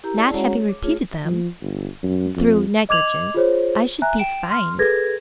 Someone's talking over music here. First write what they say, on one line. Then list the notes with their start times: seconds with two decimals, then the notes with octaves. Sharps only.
"Not having repeated them, through negligence, I should be fined."
0.04 E4 G4 A#4 A#5
0.17 E4 G#4 D5 A5
0.33 G#3 C#4 F#4 C#5 F#5 A#5
0.45 G#4 C#5
0.69 D6
0.83 A3 F4 G#4 C#5
1.25 F3
1.61 G1
2.03 F#2
2.36 F2
2.89 D#5 D6 G#6 F7 F#7
3.34 F4 G#4 C5 C#5
4.02 E5 G#5 A#5 F#6
4.18 G5 D7 E7
4.50 C6 F6
4.79 G#4 A4 B4 G#6 A#6